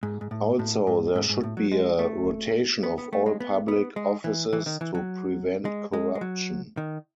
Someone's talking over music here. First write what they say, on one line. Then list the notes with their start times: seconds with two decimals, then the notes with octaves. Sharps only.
Also, there should be a rotation of all public offices to prevent corruption.
0.03 G#2
0.21 G#2
0.31 A2
0.59 A2
0.87 G#2
1.16 G#2
1.29 G#2
1.43 A2
1.57 F#3
1.72 G#3
1.99 A3
2.83 B3
2.98 B3
3.13 A3
3.26 G#3
3.40 B3
3.68 B3
3.96 G#3
4.24 E3
4.53 E3
4.66 D#3
4.81 E3
4.95 F#3
5.65 G#3
5.93 G#3
6.15 G#3
6.21 F#3
6.77 D#3